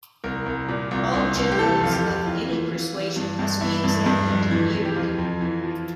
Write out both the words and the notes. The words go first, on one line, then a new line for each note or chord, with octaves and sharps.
All Generals of any persuasion must be examined yearly.
C2 A#4
C2
A#2
C2
C2
C2
G4
E3 A4
F2 F4
G4
F2
E3 F4
E3
E3
E3
G2
G2
E3 E4
G2
G2
F2
E3
E3
G4
F2 F4
F2
E3
F3